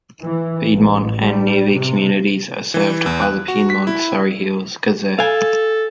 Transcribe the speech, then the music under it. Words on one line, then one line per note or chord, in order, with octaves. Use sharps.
Piedmont and nearby communities are served by the "Piedmont-Surrey Hills Gazette".
E3
A1
G3
C3
E3
E2
F#6
F#4
B6
E4
A4 F5 G#5